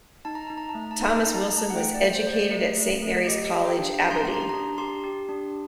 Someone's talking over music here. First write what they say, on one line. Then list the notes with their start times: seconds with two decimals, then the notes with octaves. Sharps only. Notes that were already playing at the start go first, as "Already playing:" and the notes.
Thomas Wilson was educated at Saint Mary's College, Aberdeen.
0.25 D#4 A5
0.35 A#5
0.47 D#4 A5
0.57 A#5
0.69 A5
0.75 A3 A#5
0.91 A5
1.00 D#4 A#5
1.14 A5
1.24 D#4 A#5
1.35 A5
1.45 A#5
1.51 A3
1.58 A5
1.70 F#5
1.76 A3 G5
1.94 D5
2.01 A3
2.14 C5
2.27 A3
2.33 D5
2.51 A3
2.77 A3
3.02 A3
3.27 G4 D#5
3.52 G4
3.65 G5
3.78 D4
4.02 D4 A#5
4.11 C6
4.18 A#5
4.25 G4 C6
4.34 A#5
4.41 C6
4.49 D4 A#5
4.78 G4 C6
5.04 G4
5.29 D4